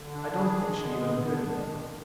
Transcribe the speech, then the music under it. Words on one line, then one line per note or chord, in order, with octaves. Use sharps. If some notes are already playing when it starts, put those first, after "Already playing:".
I don't think she even heard me.
Already playing: D3
D4
G#4
G#3
D3
B3
D4
D#3
F2